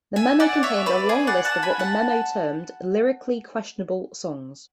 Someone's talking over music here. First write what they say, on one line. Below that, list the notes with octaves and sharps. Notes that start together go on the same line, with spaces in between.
The memo contained a long list of what the memo termed "lyrically questionable" songs.
E5 G#5
D5 F#5
C#5 E5
B4 D5
G#4
D5 F#5
F#5 A5
G#5 B5
F#5 A5